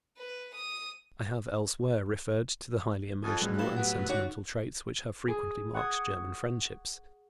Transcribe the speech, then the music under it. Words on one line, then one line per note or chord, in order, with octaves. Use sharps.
I have elsewhere referred to the highly emotional and sentimental traits which have frequently marked German friendships.
B4
D#6
F2 A4 G#5 D#6
E2 A2 F#3 G3 C4
G2 F5 B5 E7
B3 G4 F#5
D3 D#4 F#4 C#5 F#5 C#6
G#4
F#5 C#6 D#6 G#6